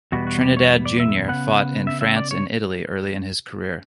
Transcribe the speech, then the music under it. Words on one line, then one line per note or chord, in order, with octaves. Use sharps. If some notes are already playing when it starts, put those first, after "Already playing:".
Trinidad Junior fought in France and Italy early in his career.
E2 B2 G3 B3 F#4
F#4
G4
C#5
D5
E5
C#3 G3 B3 F#5
E5
E5
D5
C#5